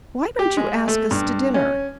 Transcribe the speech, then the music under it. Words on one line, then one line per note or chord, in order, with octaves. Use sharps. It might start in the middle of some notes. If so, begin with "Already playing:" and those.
Why don't you ask us to dinner?
G4
G#3
A3
G2
C#4